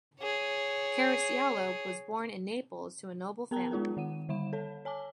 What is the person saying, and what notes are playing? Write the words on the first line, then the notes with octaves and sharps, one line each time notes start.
Caracciolo was born in Naples to a noble family.
G#4 C#5
B3 A#4 G5 A5 A#5
G#3 D#4 F4 G#4 A#4
D#3 F#5 D#7
D3 G3 E5 B5 E7
A4 C#5 A5
C#5 G#5 A5 D6